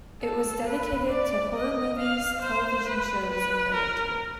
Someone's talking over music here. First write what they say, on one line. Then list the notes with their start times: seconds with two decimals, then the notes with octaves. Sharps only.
It was dedicated to horror movies, television shows and literature.
0.22 A4
0.66 B4
1.10 D5
1.55 D#5
1.98 F5
2.41 C5
2.86 B4
3.30 B4
3.74 A#4